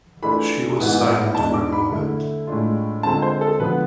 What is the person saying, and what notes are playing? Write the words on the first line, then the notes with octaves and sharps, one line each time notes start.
She was silent for a moment.
E3 A3 D4 F4 B5
G#2 E3 B3 E4
E2 B2 G#3 D4 A5
D6
B5
D3 A3 E4
A2 G#3 D4 F4
D3 G#3 C4 F4 A5
C5
A4
D3 F3 B3 B4